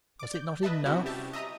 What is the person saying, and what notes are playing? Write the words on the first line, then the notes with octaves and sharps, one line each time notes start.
Was it not enough?
D5 D6
G6
B4 D#5 E5 A5
C3 G3 C#4 E4 F#4 G4
G4 E5 A5
D#5 E5 A#5 D#6